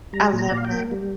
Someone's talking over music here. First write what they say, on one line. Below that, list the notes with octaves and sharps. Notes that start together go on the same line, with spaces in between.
I love that.
G3 A#5
A#2
A#5
A#2 D5
F5
G5
A#3
G3